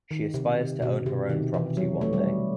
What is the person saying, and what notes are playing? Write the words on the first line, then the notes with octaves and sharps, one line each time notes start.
She aspires to own her own property one day.
D#3
C3
B2
C3
D#3
E3
F#3
A3
G3